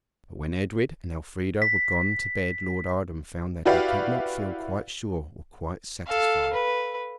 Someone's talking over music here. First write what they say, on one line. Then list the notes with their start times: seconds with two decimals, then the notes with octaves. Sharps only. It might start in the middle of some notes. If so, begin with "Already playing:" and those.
But when Edred and Elfrida were gone to bed Lord Arden found that he could not feel quite sure or quite satisfied.
1.62 B6
3.65 E4 F#4 G4 B4 D5 F5
6.07 A4 F5
6.53 B4